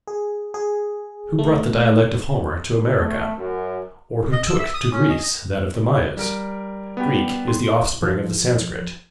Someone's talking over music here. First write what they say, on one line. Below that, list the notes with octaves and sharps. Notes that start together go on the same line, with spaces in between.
Who brought the dialect of Homer to America? or who took to Greece that of the Mayas? Greek is the offspring of the Sanscrit.
G#4
G#4
A3
A3
F#2
D#5
E6
E5
D#6
C#4
D#5
G3 A#4 D7
B3 G4
C6
F3